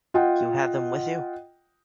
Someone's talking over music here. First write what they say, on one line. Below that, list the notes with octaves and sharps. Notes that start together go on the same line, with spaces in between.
You have them with you?
F4 D#5 F#5 G5